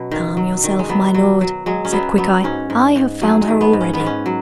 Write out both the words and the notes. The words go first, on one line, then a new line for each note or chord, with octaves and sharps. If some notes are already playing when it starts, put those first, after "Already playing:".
'Calm yourself, my lord,' said Quickeye. 'I have found her already.
Already playing: B2 F#3 C#4
D#3
F#3
D#3
G#3
F#3 B3
F#3
F#3
F#3 G#3
C#4
F#3 B3
F#3 B3
G#2 C#4
G#2
G#2
F#3 G#4
G#3
D#3
B3
G#2
C#4
B3
G#2
C#4
F#3